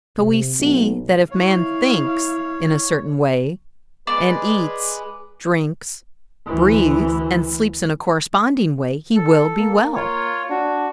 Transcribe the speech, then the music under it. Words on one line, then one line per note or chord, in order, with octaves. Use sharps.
So we see that if man thinks in a certain way, and eats, drinks, breathes, and sleeps in a corresponding way, he will be well.
C3
B1
E4 C#5 F5
G#3 G#4 B4 D5
D2 E3
A4
A#3
F4 C#5
D4 F#4